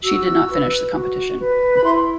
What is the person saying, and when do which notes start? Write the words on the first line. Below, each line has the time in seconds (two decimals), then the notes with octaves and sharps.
She did not finish the competition.
0.03 F#4 E6
0.48 B4
0.94 F#4
1.39 B4
1.75 B5
1.83 E4 C6